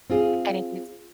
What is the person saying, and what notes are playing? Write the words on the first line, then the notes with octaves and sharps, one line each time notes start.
and it was
C4 F4 G#4